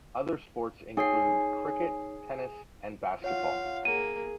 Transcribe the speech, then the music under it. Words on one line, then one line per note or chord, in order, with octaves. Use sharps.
Other sports include cricket, tennis and basketball.
D#4 G#4 C#5 C7
F4 C#5 F5 F#5
A#3 G#4 D#7